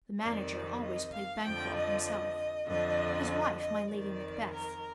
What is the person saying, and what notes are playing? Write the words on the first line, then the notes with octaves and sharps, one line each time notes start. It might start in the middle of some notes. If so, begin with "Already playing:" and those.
The Manager always played BANQUO himself, his Wife my LADY MACBETH.
F2 C3 D#3 D5
D#5
F5
F2 D3 F3 G5
D#5
D#5
F2 D3 F3 D#5
D#5
D#5
F2 D#3 D5
A#4